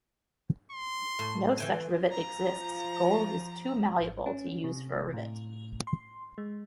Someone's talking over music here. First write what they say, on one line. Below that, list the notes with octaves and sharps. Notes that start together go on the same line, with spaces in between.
No such rivet exists: gold is too malleable to use for a rivet.
C6
A2
E3 G5 G#5
F3 A#5
G#1
C#4
C3
A2
C6
G#3